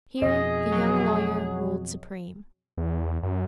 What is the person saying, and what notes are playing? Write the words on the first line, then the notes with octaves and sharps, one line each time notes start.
Here the young lawyer ruled supreme.
F2 B2 G#4 D#5
F#3
E2
F#2